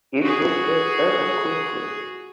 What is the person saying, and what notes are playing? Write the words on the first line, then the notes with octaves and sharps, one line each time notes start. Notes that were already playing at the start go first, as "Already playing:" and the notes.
It will get better quickly.
F#4 G#4